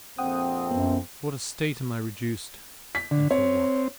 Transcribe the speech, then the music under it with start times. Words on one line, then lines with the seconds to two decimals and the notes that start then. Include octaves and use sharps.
To what a state am I reduced, and for what?
0.18 A#1 F2 C4 F#5 G5 D#6
0.71 F#2 B3
2.95 B6
3.11 D3
3.31 C4 C#5